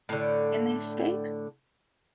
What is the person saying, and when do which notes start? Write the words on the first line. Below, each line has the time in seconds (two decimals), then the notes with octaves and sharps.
Can they escape?
0.09 A2 D3